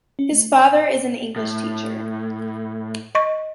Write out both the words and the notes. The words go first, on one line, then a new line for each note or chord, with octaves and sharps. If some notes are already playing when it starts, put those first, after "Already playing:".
His father is an English teacher.
C#4
A3
A#5
G#5
A2
D#5 C#6